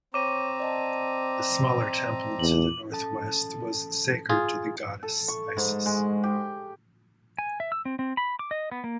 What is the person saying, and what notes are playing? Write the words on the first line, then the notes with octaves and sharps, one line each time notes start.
The smaller temple to the northwest was sacred to the goddess Isis.
C4 C#5 A#5 C#6 D6 D#7
D5 D#5 A5
E2 F#7
C#4 A4 A5
F4 G#4
A4
C#6
G#2
G#3
G4
G#5
E5
E6
C4
C4
B5
D6
D#5
B3
A#3